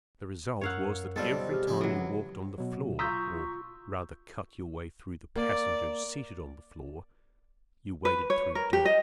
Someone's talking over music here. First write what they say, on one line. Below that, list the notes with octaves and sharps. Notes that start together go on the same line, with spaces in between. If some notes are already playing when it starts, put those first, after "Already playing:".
The result was that every time you walked on the floor or rather cut your way through the passengers seated on the floor, you waded through dirt.
F#2 A#4 C#5 F5 F#5 E6
B1 G3 C4 F4 A4 D#5
G4 G#4 F6
C#3 F3 G#3 D#4
C#2 E3 F#3
B2 F#3
F4 A#5 C6 C#6 D#6 E6 G6 B6
A#3 D5
B4
C#5
A#4
G4
D#5